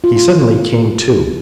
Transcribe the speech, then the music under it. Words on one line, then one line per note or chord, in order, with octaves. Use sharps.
He suddenly came to.
F4